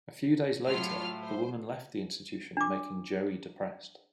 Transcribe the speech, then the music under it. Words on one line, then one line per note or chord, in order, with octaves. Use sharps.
A few days later the woman left the institution making Joey depressed.
A2 F#3 F4 F6
C5
D4 D6